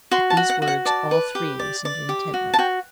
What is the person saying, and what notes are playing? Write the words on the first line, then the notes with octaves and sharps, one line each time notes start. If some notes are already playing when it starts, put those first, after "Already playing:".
At these words all three listened intently.
F#4 C6
A5
F#4
F#5
F#4
F#5
D5 A5
B4
G4
D5
D5
G4
F#4
A5
F#4 G5